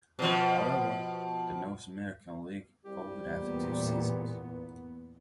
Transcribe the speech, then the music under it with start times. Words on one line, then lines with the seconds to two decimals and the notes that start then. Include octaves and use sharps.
However, the North American League folded after two seasons.
0.19 B2 F3
2.85 C2 G3 G4
3.31 E2 A#2 B3